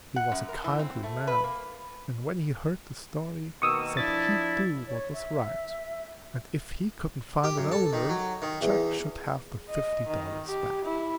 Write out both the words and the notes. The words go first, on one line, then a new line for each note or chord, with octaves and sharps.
He was a kindly man; and when he heard the story, said he'd do what was right, and if he couldn't find an owner, Jack should have the fifty dollars back.
F#5
F#2
A#4
E3
C4
A3
B4
A#3
B2 D#3 A#3 C#6 D#6 E6
F3 D4 E4 A6
C#5
E5
G4
F#2
A4
D#3
F#3
D#3
E2
D#5
D#3
G4
E4